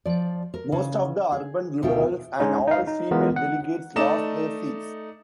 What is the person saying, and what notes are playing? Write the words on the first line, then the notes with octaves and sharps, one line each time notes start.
Most of the urban liberals and all female delegates lost their seats.
F3 D5
A#4
C#3
G#4
D2 B2 E4 F4 G5
G#3 C#4 D#4
D#4 F5
D#4
E3 G#3 B3 F4 A#4
F#5
A3 D#4 D5 E7